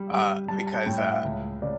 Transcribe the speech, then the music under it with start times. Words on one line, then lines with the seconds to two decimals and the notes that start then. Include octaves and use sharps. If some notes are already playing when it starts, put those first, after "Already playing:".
uh, because, uh,
Already playing: G3
0.11 G3
0.48 G3 A5
0.67 A5
0.86 A2 G5
0.98 E5
1.06 F#5
1.24 C#2
1.62 C#3 D5